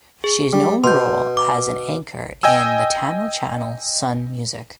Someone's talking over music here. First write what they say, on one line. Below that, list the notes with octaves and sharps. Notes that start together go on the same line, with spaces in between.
She is known role as an anchor in the Tamil channel Sun Music.
G#4
G3
B2 C6 G6
D6
D#5 G5 G#5 E6